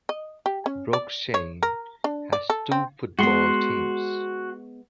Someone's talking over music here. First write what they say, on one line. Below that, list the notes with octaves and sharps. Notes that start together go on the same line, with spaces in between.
Broughshane has two football teams.
D#5
G4
C#4
D5
C#5
A#4
D4
D5
A4
C4
G#3 B3 F#4 F#5 C6